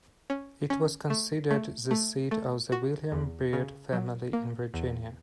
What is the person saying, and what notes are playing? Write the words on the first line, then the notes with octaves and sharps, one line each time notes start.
It was considered the seat of the William Byrd family in Virginia.
C#4
C#4
A3
A3
A3
A3
F#4
E2
C#3
F#3
A#3
E2